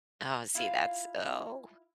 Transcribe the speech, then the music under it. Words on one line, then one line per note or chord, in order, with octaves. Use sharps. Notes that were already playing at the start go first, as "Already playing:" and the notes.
Oh, see, that's Oh.
E4 F4 F5